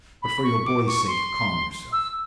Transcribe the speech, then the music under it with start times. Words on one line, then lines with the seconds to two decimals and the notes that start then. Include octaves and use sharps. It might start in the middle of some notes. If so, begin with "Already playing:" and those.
But for your boy's sake, calm yourself.
0.22 B5
0.43 C#6
0.65 D6
0.87 C#6
1.08 C6
1.92 E6